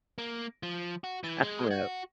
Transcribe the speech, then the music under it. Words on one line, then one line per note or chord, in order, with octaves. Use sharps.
I don't know.
A#3
F3
F#4
E3
G#3
F#4